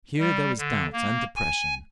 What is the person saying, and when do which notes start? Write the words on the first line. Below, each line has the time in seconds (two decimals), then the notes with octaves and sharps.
Here there was doubt and depression.
0.19 G3
0.58 D3
0.93 A#3
1.36 G#5